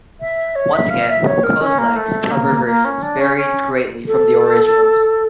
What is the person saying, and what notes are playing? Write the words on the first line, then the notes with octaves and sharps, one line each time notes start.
Once again, Kozelek's cover versions varied greatly from the originals.
E5
C#5
E5
F5
E5
C#5
A#4
C#4
A#3
A3
A#3
A#3
C#4
D4
C#4
C#4
A4